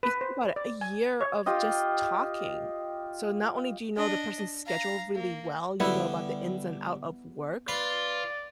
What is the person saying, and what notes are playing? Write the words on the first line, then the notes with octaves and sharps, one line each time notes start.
You think about it, a year of just talking. So not only do you know the person's schedule really well, you know about the ins and out of work,
B4
C5
D5
G#5
C#5
F4 G4 D#5
D4 D#5
F5 A#5
A#3
D3 G3 B3 E4
F4 B4 D5